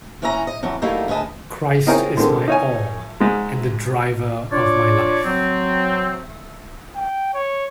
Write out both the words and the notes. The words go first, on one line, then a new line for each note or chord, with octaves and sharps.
Christ is my all and the driver of my life.
A#2 E3 C#4 E4 F5 A#5
D#5
F2 E3 F#3
F#3 G3 A3 A#3 D#4 E4
D2 G#4 B4 D#5 A5
C4 D#4 E4 G#4 A#4 C#5
D3 D#3 G#3 C4
D#4 C#5 G#5
G#2 G#3
D4 F4 C#5 D5
F#3 C4
G5
C#5